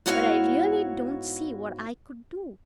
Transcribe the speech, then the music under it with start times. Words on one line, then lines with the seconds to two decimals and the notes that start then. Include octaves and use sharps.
But I really don't see what I could do.
0.06 G#2 B3 E4 F#4 C#5 F5